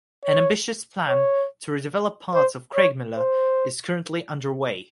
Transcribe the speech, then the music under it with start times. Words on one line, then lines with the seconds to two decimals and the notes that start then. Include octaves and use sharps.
An ambitious plan to re-develop parts of Craigmillar is currently underway.
0.25 C#5
1.09 C#5
2.33 C5
2.75 C#5
3.17 C5